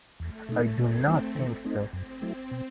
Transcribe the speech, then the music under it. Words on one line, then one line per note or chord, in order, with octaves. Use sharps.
I do not think so.
E2 A3
B2 A3 D#4
B2 C4
G3 B3 D#4
D#3
A3 C4 D#4
F#2 C4
F#3 A3 E4
B2